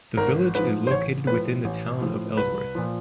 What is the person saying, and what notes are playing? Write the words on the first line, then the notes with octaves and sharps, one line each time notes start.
The village is located within the Town of Ellsworth.
G#1 A#4
G#2 F3 B4
C5
A1 C#5
A2 F3 B4
A1
A2 F3
C2 B4
A#2 F3